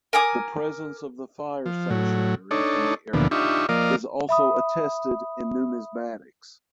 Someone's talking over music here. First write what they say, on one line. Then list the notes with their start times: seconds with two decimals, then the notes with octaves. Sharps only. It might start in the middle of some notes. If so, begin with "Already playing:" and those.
The presence of the fire sanctuary in the area is also attested in numismatics.
0.13 A#4 G#5 D6 D#6
1.66 F3
1.90 A2 F#3
2.51 D4 D#4 A4 C#5
3.13 D2 A#2 D3 E3 F3 B3
3.31 D4 D#4 F4 G4 E5 C#6
3.69 F3 A#3 A#4 D5 D#5 F5
4.29 E5 B5 D#6